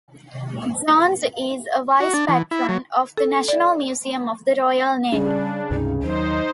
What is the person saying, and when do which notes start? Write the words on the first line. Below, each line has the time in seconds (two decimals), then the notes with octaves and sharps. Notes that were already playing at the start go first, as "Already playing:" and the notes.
Jones is a Vice-Patron of the National Museum of the Royal Navy.
2.00 F#4
2.14 D4
2.28 E3
2.51 E4
2.69 F#3
3.17 A4
3.48 D5
5.12 C#3 G3 D4
5.71 C#2 G2 C3 D#4
6.03 D#2 F#3 D#4 C5